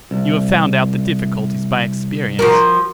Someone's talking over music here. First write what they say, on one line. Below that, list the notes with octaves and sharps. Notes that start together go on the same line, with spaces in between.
'You have found out the difficulties by experience.'
C2
F3 F#4 A#4